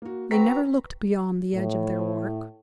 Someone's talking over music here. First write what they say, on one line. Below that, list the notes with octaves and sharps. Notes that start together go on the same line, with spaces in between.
They never looked beyond the edge of their work.
A#3 F#4
C4 F#4 B4 A#5 B6
A2